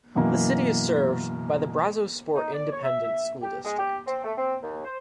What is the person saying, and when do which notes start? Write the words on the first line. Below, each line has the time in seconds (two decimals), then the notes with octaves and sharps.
The city is served by the Brazosport Independent School District.
0.15 F#2 B2 E3 A#3
2.35 D#4
2.53 D5
2.72 C#5
2.83 E5
3.41 G4
3.64 G#3
3.78 G4
4.06 C4
4.24 A3
4.37 C4
4.62 D#2
4.84 C5